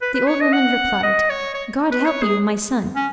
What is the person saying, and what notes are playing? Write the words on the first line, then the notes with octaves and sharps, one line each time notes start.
The old woman replied: "God help you, my son!"
B4
B4
C#5
D#5
F#5
D#5
C#5
C#5
B4
C#5
G#4
C#4